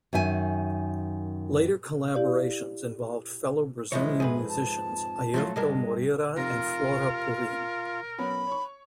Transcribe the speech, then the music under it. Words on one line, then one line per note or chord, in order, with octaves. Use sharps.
Later collaborations involved fellow Brazilian musicians Airto Moreira and Flora Purim.
F#2 D#3 E5 G#5
E4 G4 D5 F5
E3 F3 G#3 C#5 E5
F2 G#2 G#4 B4
A5
A2 F3 F#3 A3 F4
G2 G#3 D4 A#4
F1 C3 F4 A#4 A#6
F#3 B3 C#4 B5
C#5 C#6